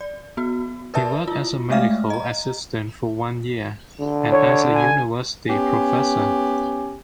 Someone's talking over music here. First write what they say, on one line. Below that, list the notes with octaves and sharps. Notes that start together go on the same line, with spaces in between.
He worked as a medical assistant for one year and as a university professor.
D5
B3 F#4
A#4 B4 D5 E5 A5
E4 F4
G#3 A3 E5 F5 F6
D#5 A#5
D3
C#5
G#5
B3 C#4 G4 G#5